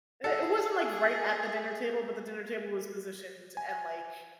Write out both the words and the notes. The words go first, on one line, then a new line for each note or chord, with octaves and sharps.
It it wasn't, like, right at the dinner table, but the dinner table was positioned and, like,
G#4 A4 F#5
G#5